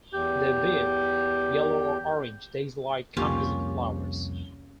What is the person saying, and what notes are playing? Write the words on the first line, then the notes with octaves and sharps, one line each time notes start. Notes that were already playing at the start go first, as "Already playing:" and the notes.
They bear yellow or orange daisy-like composite flowers.
E2 G4 G6
C2 F2 A#3 C#4 F4 G4